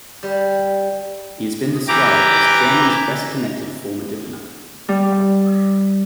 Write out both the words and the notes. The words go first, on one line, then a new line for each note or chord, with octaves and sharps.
He has been described as "Germany's best-connected former diplomat".
G3
E3 G4 A#5 D6
G3